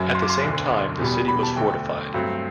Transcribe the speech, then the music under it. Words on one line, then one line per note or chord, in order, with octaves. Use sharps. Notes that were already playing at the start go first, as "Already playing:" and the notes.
At the same time, the city was fortified.
Already playing: F#1 F#2 F#3
C6
D6
C6
E1 D2 D3
E2 B2 G3 B3
B5
A5
D2 D3 A3 G5
G2 F#3 A3 C4